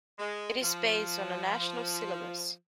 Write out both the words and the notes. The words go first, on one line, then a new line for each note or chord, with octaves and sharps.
It is based on a national syllabus.
G#3
F3